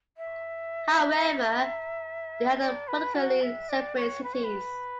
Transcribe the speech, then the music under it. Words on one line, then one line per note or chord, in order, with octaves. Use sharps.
However, they are politically separate cities.
E5
D5
B4
F#4
E5
D5
C#5
B4
C#5
B4